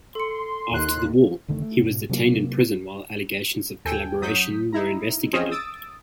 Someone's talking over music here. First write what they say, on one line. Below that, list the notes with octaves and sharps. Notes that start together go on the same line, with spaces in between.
After the war, he was detained in prison while allegations of collaboration were investigated.
A4 C6 C#7
D#2 F#6
F1 D3 D#3 A3
A3
G#2 B2
C3 F#3 A3 A#3
D#2 A4 G5 G#5
F#2 F#3 D#6 G6 B6
D#4 E4 A#5
C4 C#4 F4 G#4 C5 D#5
D#6 E6 A6 D7